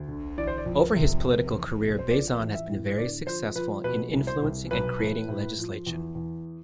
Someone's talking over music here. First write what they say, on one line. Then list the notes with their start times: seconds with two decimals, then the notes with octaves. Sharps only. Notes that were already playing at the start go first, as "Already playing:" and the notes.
Over his political career, Bezan has been very successful in influencing and creating legislation.
Already playing: D2
0.08 D3
0.38 E3 D5
0.47 C5
0.58 D5
0.66 F2
0.96 C3
1.24 F1
1.53 E2
1.82 B2
1.99 C5
2.11 F3 D5
2.39 A1
2.55 E5
2.69 A2
2.98 D3 D5
3.26 F3 C5
3.56 F3 B4
3.84 B2 B4
4.13 C2
4.27 C5
4.42 C2
4.71 B1 B4
4.99 E3
5.28 A2
5.58 F3
5.86 E2
6.15 E2